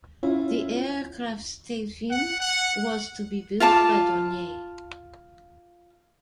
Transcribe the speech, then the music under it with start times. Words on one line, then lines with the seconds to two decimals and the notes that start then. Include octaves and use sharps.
The aircraft's tailfin was to be built by Dornier.
0.23 C#4 E4 F4
2.09 F#5
2.39 F#5
3.60 F4 F5 A5 D6